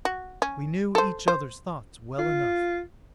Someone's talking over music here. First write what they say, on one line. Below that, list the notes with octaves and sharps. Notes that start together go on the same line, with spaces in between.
We knew each others thoughts well enough.
F#4
C#4
A4 C5
C5
F4